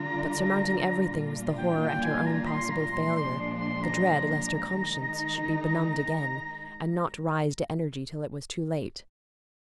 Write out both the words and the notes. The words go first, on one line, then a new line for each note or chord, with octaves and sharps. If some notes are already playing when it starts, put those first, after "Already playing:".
But surmounting everything was the horror at her own possible failure, the dread lest her conscience should be benumbed again, and not rise to energy till it was too late.
Already playing: D3 G3 D4 F4 A#5
A#2 G3 D4 F4
G5
G5
G#5
A#5
C6
A#5
A#2 F3 G#3 D4 C6
C6
C6
A#5
D#3 G#3 D#4